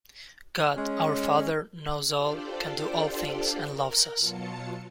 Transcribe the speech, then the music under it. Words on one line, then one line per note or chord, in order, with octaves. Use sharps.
God, our father, knows all, can do all things, and loves us.
G#3 C#4
D4 F4 G4 A4 C5 D5
A#4
B2 F#3 F4 A5 C#7